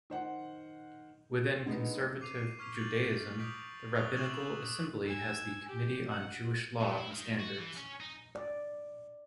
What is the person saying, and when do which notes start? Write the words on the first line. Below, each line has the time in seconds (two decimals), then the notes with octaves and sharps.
Within Conservative Judaism, the Rabbinical Assembly has the Committee on Jewish Law and Standards.
0.10 D#3 C5 F#5
1.66 D3 G#3 B3 D#4
2.21 D6 C7 D#7 F7
2.59 C#6 F6 G#6 B6 F7
2.74 G6 A6 F7 F#7
3.38 D6 D#6 G6 B6 D7 F#7
3.95 C#6 D#6 F#6 A6 B6 G7
4.16 C#6 D6 E6 E7 F#7
5.07 G#5 E6
5.68 G4
6.10 F#5
6.80 A#2
6.97 E4
7.10 D#3
7.40 F#4
7.58 E3
7.76 C#4
8.00 D#4
8.35 D5